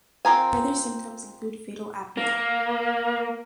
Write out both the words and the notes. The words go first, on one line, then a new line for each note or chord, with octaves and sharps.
Further symptoms include fatal apnea.
C4 F4 A#4 G#5
A#3